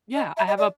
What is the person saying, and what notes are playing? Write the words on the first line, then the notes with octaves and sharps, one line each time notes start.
Yeah, I have a
D#5
E5
D#5
D5